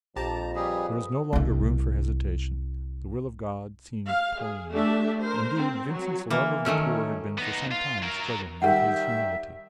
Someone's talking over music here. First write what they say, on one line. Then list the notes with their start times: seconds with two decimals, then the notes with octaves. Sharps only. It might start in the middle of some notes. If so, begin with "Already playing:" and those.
There was no longer room for hesitation; the will of God seemed plain; indeed, Vincent's love of the poor had been for some time struggling with his humility.
0.16 A#1 F2 G4 A5 A#5
0.56 G3 G4 G#4 B4
1.33 C2 E4
4.07 F5
4.40 G#4
4.73 A3 D4 G4 E5
5.20 A#4 C5
5.58 C4
5.92 F#3
6.30 E3 A#3
6.65 D#3 F#3 A3 C#4
7.38 B3 D#4
7.71 F4
8.03 F#3 A#4
8.62 D#3 G3 G4 A#4 E5 F#5